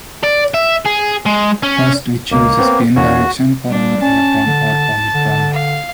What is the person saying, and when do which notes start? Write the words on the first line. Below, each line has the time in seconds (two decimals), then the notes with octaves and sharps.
First we choose a spin direction for our electron or positron.
0.23 D5
0.54 E5
0.86 G#4
1.26 G#3
1.63 C#4
2.31 C#2 A#3
2.59 B3 C4 C#5
2.96 E2 A#3 C#4 F#4
3.69 G3 D4
4.02 C#4 A5
4.47 D3
5.14 D3
5.53 F5